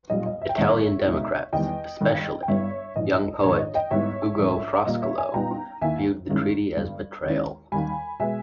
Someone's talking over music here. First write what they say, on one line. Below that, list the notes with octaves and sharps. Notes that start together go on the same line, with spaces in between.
Italian democrats, especially young poet Ugo Foscolo, viewed the treaty as a betrayal.
B1 A#2 G3 D#5
D#5
E5
G5
G#1 G2 D#3 A#3 C#5 E5
C#2 B2 G#3 D#4
E2 D#3 G3 D#5 G5
G1 G2 D#3
G5
G1 G2 G3 B3 E4 C#5 E5
A#1 G#2 E3 D#5
A#1 G#2 D#3 C#5
D#5
D#5 G5
G#2 G3 B3 E4 C#5 E5
A#1 G#2 G3 C#4
A#2 G3 A#3 D#5
C#5 E5
E5 G#5
A#2 G3 B3 D#4 G5 A#5
D#2 D#3 A#3 E4 E5 G#5
G2 D#3 G#3 C#4 E4
G1 G2 G3
D#2 D#3 G#3 C#4 E4
D#2 D#3 G3 G#5 B5
B2 G#3 B3 E5 G#5